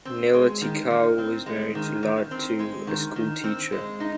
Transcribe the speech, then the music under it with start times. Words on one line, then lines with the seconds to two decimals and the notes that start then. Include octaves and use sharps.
Nailatikau is married to Latu, a schoolteacher.
0.05 C4
0.33 G#3
0.61 D#3
0.90 D#3
1.18 C4
1.46 G#3
1.75 D#3
2.03 D#3
2.31 C4
2.59 G#3
2.87 D#3
3.16 D#3
3.44 C4
3.72 G#3
4.00 D#4